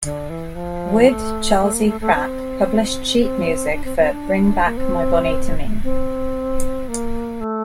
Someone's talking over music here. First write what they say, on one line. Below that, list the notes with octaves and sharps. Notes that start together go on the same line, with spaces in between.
Wood, Charles E. Pratt published sheet music for "Bring Back My Bonnie to Me".
D3
E3
F3
A3
A3
A#3
A3
A3
C4
C4
D4
C4
C4
D4
A#3
C4
C4
A#3
A3